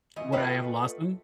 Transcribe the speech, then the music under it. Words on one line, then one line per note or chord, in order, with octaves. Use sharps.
Would I have lost them?
E2 E3 D#5
A3 A#3 F4 B4 D#5 G5